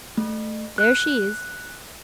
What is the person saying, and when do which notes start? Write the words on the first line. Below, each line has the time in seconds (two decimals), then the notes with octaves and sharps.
There she is.
0.17 A3
0.78 F#6